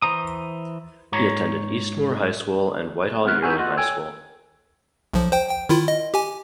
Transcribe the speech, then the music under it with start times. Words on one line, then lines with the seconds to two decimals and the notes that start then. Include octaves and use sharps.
He attended Eastmoor High School and Whitehall-Yearling High School.
0.02 E3 C5 A#5 D#6
1.12 G#2 C#5 A#5
3.25 G#3 B3 C4 A#4 B4
3.43 B3 D#4 E4 F#4 G4 G#5
3.59 F4 F#4 A4 D#5 F#5
3.77 A4 C#5 G5 G#5
5.14 B1 F3
5.32 C5 G5
5.49 G5
5.69 D#3 E4 F4
5.88 D#5
6.14 G4 G#5